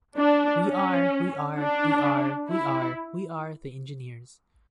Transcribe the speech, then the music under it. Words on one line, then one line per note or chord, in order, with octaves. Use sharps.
We are, we are, we are, we are, we are the Engineers!
D4
C#4
D4
E4